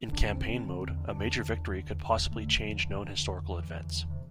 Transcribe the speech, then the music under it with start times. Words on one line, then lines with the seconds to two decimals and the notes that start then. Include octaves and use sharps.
In Campaign Mode, a major victory could possibly change known historical events.
0.08 D3 D4
0.23 E2
0.33 D3 C4
0.53 D3
0.68 D3
0.82 E2
0.97 D3
1.12 E2 D4
1.27 D3
1.42 E2
1.57 E2
1.72 D3
1.86 E2
2.01 E2
2.16 D3
2.31 E2 A3
2.47 D3
2.61 E2 F3
2.77 D3
2.91 D3
3.06 D3
3.20 E2
3.35 E2
3.51 D3 E3
3.65 E2
3.81 E2
3.95 D3
4.10 C3